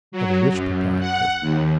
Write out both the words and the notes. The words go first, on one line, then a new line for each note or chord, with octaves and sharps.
For the rich proprietor.
F#3
F#2
F#5
D#2